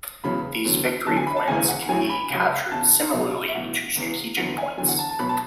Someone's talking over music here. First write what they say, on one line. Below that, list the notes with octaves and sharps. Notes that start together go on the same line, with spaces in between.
These victory points can be captured similarly to strategic points.
E1 E2 C#3 F#3 B5
E2 D3 F#3
E2 D3 F#3 A5
G#5
B5
A5
E1 D2 C#3 E3 G#5
F#5
A1 A2 F#3 G#5
B5
C#2 C#3 F#3
E2 C#3 E3 A5
C#2 B2 F#3
E5
B1 A2 E3 F#5
E1 E2 C#3 E3
F#1 E2 D3 F#3 F#5
G#5
E2 D3 F#3 G#5
F#5
A5
A5
B1 B2 F#3 B5
A5